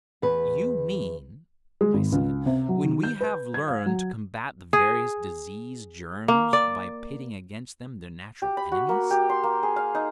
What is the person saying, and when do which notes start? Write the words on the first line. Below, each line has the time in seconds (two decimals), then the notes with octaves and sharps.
"You mean," I said, "when we have learned to combat the various disease germs by pitting against them their natural enemies."
0.22 E2 B4
1.81 G#3
1.94 G#1
2.12 C#2
2.46 C3
2.69 F#3
2.84 D#3
3.03 G6
3.21 B4
3.54 G#6
3.68 F5
3.86 F#3
4.73 G#4
6.28 A#3
6.53 D5
8.42 G4
8.57 B5
8.72 F#4
8.89 A#3
9.11 G4
9.29 C6
9.44 A#3
9.63 G#4
9.76 F5
9.95 D#4